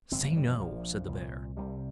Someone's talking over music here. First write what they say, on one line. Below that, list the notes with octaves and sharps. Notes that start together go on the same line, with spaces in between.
'Say, no!' said the Bear.
G1 F2 C3 C4
A#3
F3
G3
F3
A#1 A#2 F3
C2 A#2
C2 C3 G3